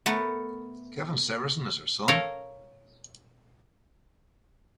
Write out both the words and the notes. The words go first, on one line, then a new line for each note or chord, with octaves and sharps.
Kevin Severson is her son.
A3 B3 A#4
A4 A#4 C#5 F5